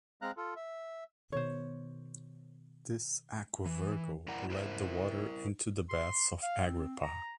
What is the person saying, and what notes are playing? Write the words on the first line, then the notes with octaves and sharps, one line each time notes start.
This "Aqua Virgo" led the water into the Baths of Agrippa.
G#3 C4 F5 A#5 F#6
F4 A4
E5
B2 D#3 C5 C#5
E3
F2 E4 A#4 D5 F#5 A#5
E4 A#4 C5 E5
C6
F5
C4
A#5